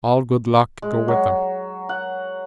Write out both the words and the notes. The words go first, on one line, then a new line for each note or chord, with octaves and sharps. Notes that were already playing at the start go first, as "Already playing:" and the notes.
All good luck go with them.
G#3
F#3
F#5